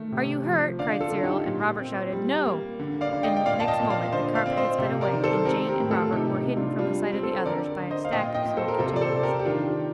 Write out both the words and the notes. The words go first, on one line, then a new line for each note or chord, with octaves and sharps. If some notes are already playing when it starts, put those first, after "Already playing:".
'Are you hurt?' cried Cyril, and Robert shouted 'No,' and next moment the carpet had sped away, and Jane and Robert were hidden from the sight of the others by a stack of smoky chimneys.
Already playing: D#3 A3
C3
F3
D3 D5 F5
F4 A4
D3
D#4 G4
A#2
C4
G3
A#3
D3
D5 F5
D3
D#5 G5
G5
A#2 D5 F5
A5
D#5 G5
A#2
D5 F5
D3 C5 D#5
D5 F5
C4
C5 D#5
C3
A#4 D5
D#3
A4 C5
C4 G4 A#4
G4 A#4
A2
F4 A4
C3 D#4 G4
D#4
C3
D4 F4
G3 D4 F4
C4
A4 C5
D3 A#4 D5
D3
C5 D#5
F5
A#2 D#5 G5
D#5 G5
A#2
A4 C5
A#4
C3 F4 A4
D5
A4 C5
C3
G4 A#4
G4
D#3 D4 F4